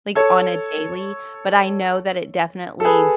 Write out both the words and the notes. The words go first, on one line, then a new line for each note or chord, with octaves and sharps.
like, on a daily, but I know that it definitely
A4 C#5
A4
G#4 B4